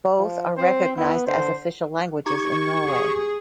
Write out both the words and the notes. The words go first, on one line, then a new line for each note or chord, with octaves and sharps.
Both are recognized as official languages in Norway.
F3
C4 C5
B3 E4
D3 C5
D#4 G4 C#6 G#6
G4 G#4